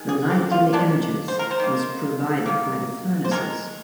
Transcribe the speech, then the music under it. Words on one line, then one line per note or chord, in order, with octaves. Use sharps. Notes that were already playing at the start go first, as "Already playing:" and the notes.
The light in the images was provided by the furnaces.
Already playing: D#3 G#3
G#4
G4
F4
D#3 G#3 D4
C5
A#4
C5
D#3 A#3
D#3 A#3
C5
D#3 G#3 A#4